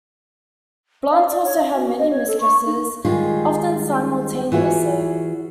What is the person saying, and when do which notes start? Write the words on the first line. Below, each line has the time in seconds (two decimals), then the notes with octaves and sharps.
Blunt also had many mistresses, often simultaneously.
1.11 F5
1.30 D5
1.44 C#5
1.57 F5
1.74 F#4
1.98 D#5
2.10 C#5
2.27 A4
2.40 C#6
2.66 D#4
3.05 D#3 G3 G#3 D#4 F4 G#4
4.52 E3 F4 F#4 G#4 C#5